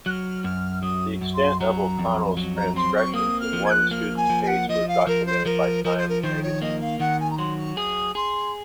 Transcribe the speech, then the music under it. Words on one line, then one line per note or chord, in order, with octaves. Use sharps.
The extent of O'Connell's transgressions in one student's case was documented by "Time" magazine.
F#3 F6 F#6
F#2 F6
F#3 D#6
F#2
C6
F#3 A#5
F2
F#3
A#5
C4 C6
C#6
A#3 D#6
F6
F3
G#6
F#6
A#3 F6
G#5
F3
G#5
F#5
F3 D#5
F5
F3 A#4
C5
F3 A#4
F3 A#4
C5
A#4
D#3 C5
C#5
A#3 D#5
F5
D#3 F#5
G#5
A#5
F#3 C6
C#6
G#4 D#6
G#4 C6